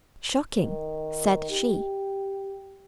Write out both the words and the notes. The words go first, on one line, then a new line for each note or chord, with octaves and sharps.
"Shocking!" said she.
D#3
G4